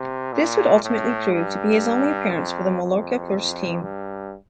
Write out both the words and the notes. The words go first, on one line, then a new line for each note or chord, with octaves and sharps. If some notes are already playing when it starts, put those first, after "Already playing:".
This would ultimately prove to be his only appearance for the Mallorca first team.
Already playing: C3
A#2
A2
G2
F2
F2
G2